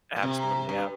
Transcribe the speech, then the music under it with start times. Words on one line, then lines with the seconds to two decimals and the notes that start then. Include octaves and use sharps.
Absolutely, yeah.
0.16 A#2
0.23 C3
0.69 G2